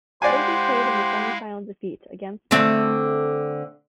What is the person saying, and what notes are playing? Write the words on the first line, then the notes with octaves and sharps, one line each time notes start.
Hogan played in the semi final defeat against Balmain.
G#3 E4 G4 C5 D5 F5 F#5 G#5
D3 A3 C4